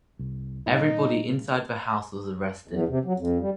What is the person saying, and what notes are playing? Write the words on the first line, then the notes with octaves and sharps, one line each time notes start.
Everybody inside the house was arrested.
C2
A#2 G3 D#4
E2
C3
F#3
F2
G3